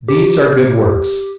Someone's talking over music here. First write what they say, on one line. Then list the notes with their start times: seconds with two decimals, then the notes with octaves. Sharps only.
These are good works.
0.08 G4